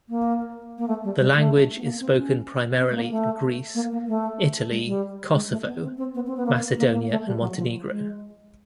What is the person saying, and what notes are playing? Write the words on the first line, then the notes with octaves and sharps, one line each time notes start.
The language is spoken primarily in Greece, Italy, Kosovo, Macedonia and Montenegro.
A#3
A#3
A3
G3
G3
A3
B3
A#3
C4
C#4
C4
A3
A#3
A3
A#3
A#3
A3
G#3
G3
G#3
A3
B3
C4
C4
B3
C4
B3
A#3
A#3
A#3
A3
G3
F#3
F3
G#3